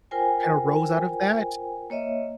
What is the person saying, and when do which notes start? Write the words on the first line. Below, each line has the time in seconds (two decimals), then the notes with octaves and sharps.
kinda rose out of that,
0.11 F4 A#4 C5 G5 G#5
1.90 A#3 C#5 D#5 E5